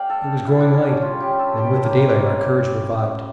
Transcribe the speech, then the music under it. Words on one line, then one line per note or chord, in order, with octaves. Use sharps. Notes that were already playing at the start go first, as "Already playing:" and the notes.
It was growing light, and with the daylight our courage revived.
Already playing: A3 D5 F5 G5
A4
E4
D4
C#4
C#4
C#3 G3 F4
G4
A4
G4
C#4
A#3
A#3
C#4